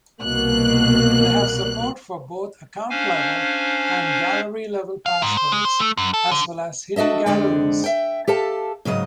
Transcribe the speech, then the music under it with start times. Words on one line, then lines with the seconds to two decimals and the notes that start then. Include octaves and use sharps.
They have support for both account-level and gallery-level passwords, as well as hidden galleries.
0.22 C2 B2 A#3 F#6
2.90 C#4 D4 C5 F5 G#5
5.06 F5
5.22 G#2
5.37 C5
5.52 G#3
5.65 C5
5.80 A3
5.97 F#2
6.14 A4
6.31 D3
6.96 D4 F#4 A4 D#5 E5
7.26 F2 D3 G#3 D4 D5 G5
7.84 E5 G5
8.27 G4 A4 F5 A5
8.85 G#2 C#3 F#3 D#5